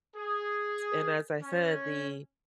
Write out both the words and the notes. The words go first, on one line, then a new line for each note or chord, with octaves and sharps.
and, as I said, the
G#4
C#4